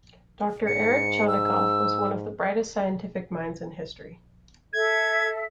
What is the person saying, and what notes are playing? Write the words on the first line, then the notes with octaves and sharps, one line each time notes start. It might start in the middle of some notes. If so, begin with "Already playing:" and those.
Doctor Eric Chanikov was one of the brightest scientific minds in history.
G#2 C#7
E6
A4 E5 G#6